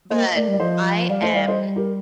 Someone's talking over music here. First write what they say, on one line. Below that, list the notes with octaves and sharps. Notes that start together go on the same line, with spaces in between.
But I am
A#3 C5 D#5
A3 A#4 D5
G3
D5
F3 C5 D#5
G3 D5 F5
A3 C5 D#5
G3 D5 F5
C5 D#5
G4 A#4